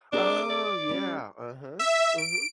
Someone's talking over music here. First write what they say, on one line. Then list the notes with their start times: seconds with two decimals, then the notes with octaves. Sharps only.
Oh, yeah, uh-huh, mhm.
0.13 C4 D4 G#4 A#4 D6
0.49 D5
0.89 G3 C#4
1.79 E5
2.18 D7